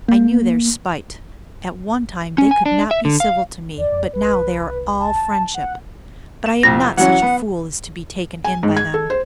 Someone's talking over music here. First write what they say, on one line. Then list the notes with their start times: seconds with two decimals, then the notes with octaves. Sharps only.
I knew their spite: at one time they could not be civil to me, but now they are all friendship; but I am not such a fool as to be taken in by them.
0.08 A#3
2.38 C#4
2.51 G#5
2.66 D4
2.91 E5
3.05 D3
3.20 F5
3.77 E2 D5
3.92 F2
4.13 C2 B4
4.99 A5
5.54 F#5
6.46 E7
6.63 C2 F2 A#6
6.97 E3 F#3 C#4 F#5
7.22 B3
8.44 G#5
8.63 G#2
8.77 G#6
8.94 A4
9.10 C5